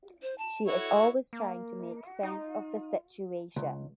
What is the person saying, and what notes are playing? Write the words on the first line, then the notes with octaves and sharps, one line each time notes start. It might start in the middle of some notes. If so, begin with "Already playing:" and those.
She is always trying to make sense of the situation.
C5
A5
E4 F#4 A4 C#5
A#3
D#4
C#2